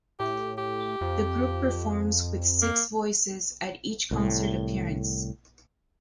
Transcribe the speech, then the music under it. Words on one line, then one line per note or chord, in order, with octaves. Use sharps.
The group performs with six voices at each concert appearance.
A2 G4
G4
F2
A#3
C2 A2